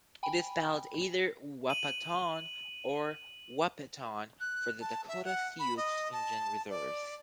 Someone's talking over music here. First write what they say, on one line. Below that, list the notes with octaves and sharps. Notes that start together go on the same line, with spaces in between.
It is spelled either Wahpaton, or Wahpeton for the Dakota Sioux Indian reserves.
G5 G#5 B5
D#7 F#7
F#6
A5
E5
F#5
B5
D#5
A5
D5